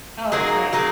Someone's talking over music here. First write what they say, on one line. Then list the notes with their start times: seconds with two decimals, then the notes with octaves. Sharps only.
Oh, okay.
0.32 F#3 A#3 D#4 G#4
0.73 F#3 A#3 D#4 G#4